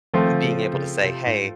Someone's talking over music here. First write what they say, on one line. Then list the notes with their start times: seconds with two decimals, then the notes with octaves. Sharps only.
being able to say, "Hey,
0.14 D#3 F3 A3 C4 F4
0.32 D3
0.44 C#3
0.73 C#3
1.04 C3
1.27 G#2